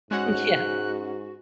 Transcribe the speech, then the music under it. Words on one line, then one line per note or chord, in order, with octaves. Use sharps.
N yeah.
G#2 G#3 C#4 F#4 F#5 F#6